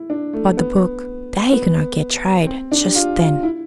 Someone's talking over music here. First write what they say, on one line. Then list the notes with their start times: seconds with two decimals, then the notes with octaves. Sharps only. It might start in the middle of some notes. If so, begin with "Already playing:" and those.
But the book--that he could not get tried just then.
Already playing: E4
0.10 D4
0.33 A3
0.57 B3
1.52 B3
2.47 C4
2.72 D4
2.84 G4
2.95 F4
3.18 F4
3.43 E4